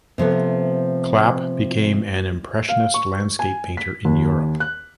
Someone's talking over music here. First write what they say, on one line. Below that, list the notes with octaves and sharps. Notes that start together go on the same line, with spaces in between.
Clapp became an Impressionist landscape painter in Europe.
C3 F3 A3 B3
F5
C#6
G#5
B6
D#2
F#6